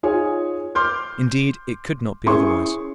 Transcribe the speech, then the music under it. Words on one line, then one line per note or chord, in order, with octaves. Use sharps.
Indeed, it could not be otherwise.
D#4 F4 G#4 C#5 G#5
C6 D6 F6 G6
C#4 E4 G#4 C6 C#6